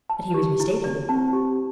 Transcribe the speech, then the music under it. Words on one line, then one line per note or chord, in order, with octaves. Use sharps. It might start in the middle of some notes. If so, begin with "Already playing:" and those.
But he was mistaken.
A5
G4
E4
D5
C4 A5
G4